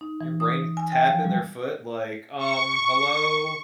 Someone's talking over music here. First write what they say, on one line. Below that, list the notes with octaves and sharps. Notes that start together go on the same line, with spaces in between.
Your brain is tapping their foot like, "Um, hello?"
D#4
E3
D#6
G#5
G5
F3
G3
C#6